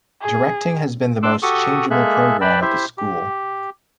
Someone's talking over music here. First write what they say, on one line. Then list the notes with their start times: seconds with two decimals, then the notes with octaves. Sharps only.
Directing has been the most changeable program at the school.
0.21 G#4
1.23 D4 C6 D6 E6 F#6
1.42 F#4 G4 A4 C#6 D#6
1.91 G#3 A#3 G#4 A4 E5 F#6
2.41 B4 D5 G5 A5 B5
2.61 E4 G4 C5 E5
2.98 G4